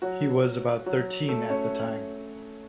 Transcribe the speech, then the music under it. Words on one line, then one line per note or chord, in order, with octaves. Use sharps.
He was about thirteen at the time.
F#3 F#4
F#3 F#4
A3 A4
C#4 C#5